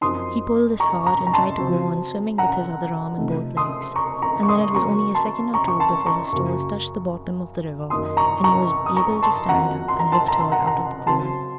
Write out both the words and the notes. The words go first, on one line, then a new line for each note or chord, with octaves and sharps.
He pulled this hard, and tried to go on swimming with his other arm and both legs; and then it was only a second or two before his toes touched the bottom of the river, and he was able to stand up and lift her out of the pool.
F#2 F3 C4 D#4 C6 D#6
A#5 C#6
A#5 C#6
A#5
A5 C6
C#3 F#3 C4
F#5 A#5
C3 F3 A3 D#4
C6 D#6
A#5 C#6
A#5 C#6
C#6
C6 D#6
C#3 F#3 A#3 C#4 A#5 C#6
A5 C6
A#5 C#6
C#6
A5 C6
A#5 C#6
F#2 C#3 F#3 A#3
F#2 D#3 A#3 D#4 C6 D#6
A#5 C#6
A#5 C#6
D#6
A#5 C#6
A5 C6
F2 D#3 F#3 A#3 F#5 A#5
C6
A#5
A5 C6
A#5
C6
F#5 A#5
F#5 A#5
C#3 F#3 C4 A5 C6